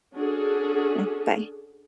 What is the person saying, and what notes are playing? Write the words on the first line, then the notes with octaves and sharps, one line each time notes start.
Mm, bye.
C#4 D4 F#4 G#4 A4